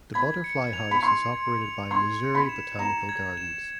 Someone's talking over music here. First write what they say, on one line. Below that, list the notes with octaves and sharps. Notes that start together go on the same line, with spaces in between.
The Butterfly House is operated by Missouri Botanical Gardens.
B5 G#6
C#7
F7
B5
C6 C#7
G#6
F7
C6 G#6
C#7
B5
E7
A#5 E7
G#6
E7